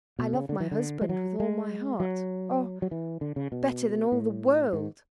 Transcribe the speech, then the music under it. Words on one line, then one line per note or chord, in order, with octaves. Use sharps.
"I love my husband with all my heart,--oh, better than all the world."
B2
C#3
D3
E3
D3
G#3
F#3
G#3
F#3
F#3
E3
D3
C#3
B2
A2
G#2